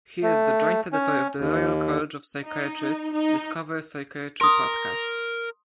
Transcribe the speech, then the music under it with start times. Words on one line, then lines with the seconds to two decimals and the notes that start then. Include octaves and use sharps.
He is the joint editor of the Royal College of Psychiatrists "discover psychiatry podcasts".
0.23 A3
0.92 C#4
1.40 D#2
2.44 D#4
3.13 D#4
4.41 A#4 C6 D#6